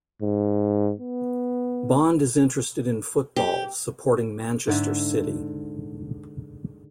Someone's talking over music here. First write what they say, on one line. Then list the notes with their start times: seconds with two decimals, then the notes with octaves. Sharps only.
Bond is interested in football, supporting Manchester City.
0.22 G#2
1.00 B3
3.36 G4
4.67 G#2 D3 E5